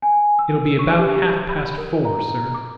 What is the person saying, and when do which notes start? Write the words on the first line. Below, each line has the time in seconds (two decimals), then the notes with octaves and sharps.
"It'll be about half-past four, sir."
0.02 G#5
0.39 E6
0.79 C#6
0.98 G4
1.16 G4
1.50 B5
1.78 A#4
2.05 A#5
2.54 D6